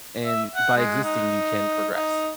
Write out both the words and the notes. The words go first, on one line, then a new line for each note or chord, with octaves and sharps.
and by existing, you can progress.
E5
F#5
G#3
D#4
D#4